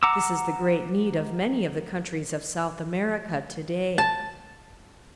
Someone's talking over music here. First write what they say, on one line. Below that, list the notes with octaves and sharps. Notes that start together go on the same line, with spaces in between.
This is the great need of many of the countries of South America today.
F#5 A#5 D6 E6
A5